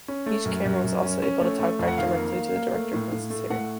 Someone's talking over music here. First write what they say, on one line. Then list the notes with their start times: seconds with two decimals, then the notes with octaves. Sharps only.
Each camera was also able to talkback directly to the director if necessary.
0.08 C#4
0.26 A3
0.45 F#2
0.65 F#2
0.84 F#2
1.02 C#4
1.23 C#4
1.41 A3
1.59 A3
1.79 F2
1.88 F#5
1.98 D#3 F5
2.17 A#3
2.36 A#3
2.56 A#3
2.75 A3
2.93 A2
3.12 A2
3.30 A3
3.50 A2 F#5